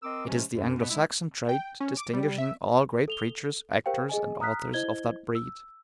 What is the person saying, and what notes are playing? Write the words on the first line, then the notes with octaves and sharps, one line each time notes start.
It is the Anglo-Saxon trait, distinguishing all great preachers, actors, and authors of that breed.
C4 A#4 D#5 D6 E6
C3 F3 G#3 C#4
F#2
B2 B3
G#3 D#4 E4
G5
C#4
D6
G3
E5
A4 F7 G7
G4 A#4 C5 F5 G5
G#4 D#5 G#5
A#5 D#6 F6 F#6 B6
E4 C5 D#5 G#6 G7
E6